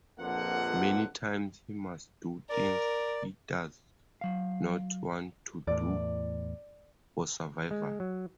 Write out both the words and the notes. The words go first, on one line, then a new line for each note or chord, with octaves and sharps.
Many times he must do things he does not want to do, for survival.
A#1 F2 D3 A#3 B4 F#5
A#4 D5
F#3 F5
E2 A2 D5
G#3
F#3